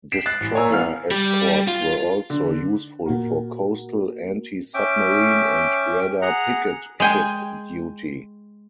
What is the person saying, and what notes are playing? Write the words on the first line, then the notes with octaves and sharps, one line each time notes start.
Destroyer escorts were also useful for coastal anti-submarine and radar picket ship duty.
B6 C7 D7 E7
F#6 A6 C7
A1
C#5 G#5 A#5 E6
E3 B3 F5 F6
G3
F4
D3
A#2 A#3 F#4 A#4
C#4 E5 G5 D6
G#4 F#5 A#5
G#3 G5 G#5